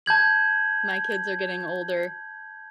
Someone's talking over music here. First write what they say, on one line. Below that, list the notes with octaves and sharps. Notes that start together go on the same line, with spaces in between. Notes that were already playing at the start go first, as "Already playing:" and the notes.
my kids are getting older,
A5 G6 G#6 F#7